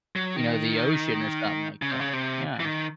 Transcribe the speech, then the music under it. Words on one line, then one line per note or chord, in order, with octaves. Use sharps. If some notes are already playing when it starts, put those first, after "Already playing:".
you know, the ocean or something like that, yeah.
F#3
D#3
C#3
C3
C#3
C3
E3
D#3